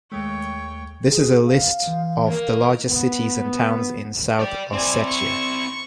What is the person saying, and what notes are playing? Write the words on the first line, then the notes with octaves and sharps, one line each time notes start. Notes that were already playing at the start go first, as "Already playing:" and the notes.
This is a list of the largest cities and towns in South Ossetia.
D#2 G#3 A3 C#5 G5
G#4
F5
E3
A#3
B3
D5 G5
C4 E4 D5 G#5
C#6